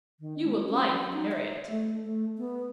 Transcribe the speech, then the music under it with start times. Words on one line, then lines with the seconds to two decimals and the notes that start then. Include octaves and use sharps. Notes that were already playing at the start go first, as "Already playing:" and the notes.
You will like Harriet.
0.20 D#3
0.43 G#3
0.69 C#4
0.91 F#3
1.13 D#4
1.32 E5
1.70 A3
2.04 A3
2.38 B3